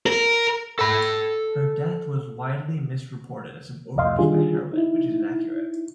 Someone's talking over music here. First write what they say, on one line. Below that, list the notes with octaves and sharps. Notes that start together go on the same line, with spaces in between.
Her death was widely misreported as an overdose by heroin, which is inaccurate.
A#4
A4 B5
C2 F2 A2 D#5 F5 C6
D3 D#3 G3 D4 F4 G#4
D#4 E4